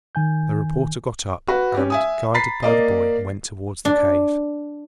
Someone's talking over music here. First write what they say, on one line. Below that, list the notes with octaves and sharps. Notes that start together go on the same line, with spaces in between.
The reporter got up, and guided by the boy went towards the cave.
D#3 G#5 G6
F#4 B4
C#4 G4
E5 G#5 D#6
A#5 B5 A6 B6 C7
A#3 D5 D#5
D4